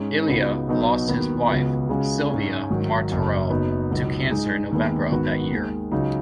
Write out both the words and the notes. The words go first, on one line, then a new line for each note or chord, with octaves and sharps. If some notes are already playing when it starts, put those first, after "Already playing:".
Illia lost his wife, Silvia Martorell, to cancer in November of that year.
Already playing: G#2 G#3 C#4
C#2 C#3 B3 D#4 F#4
B1 B2 F#3 B3 D#4
D#2 D#3 B3 F#4
C#2 C#3 B3 F#4
C#2 C#3 G#3 C#4 F#4
G#2 G#3 C#4
G#1 G#2 D#3 F#3
F#1 F#2 F#3
F#1 F#2 F#3 B3 D#4
C#2 B2 F#3 B3 D#4
G#2 G#3 D#4
D#2 D#3 G#3 B3
G#1 G#2 D#3 B3 F#4
D#2 D#3 G#3
C#2 C#3 F#3 D#4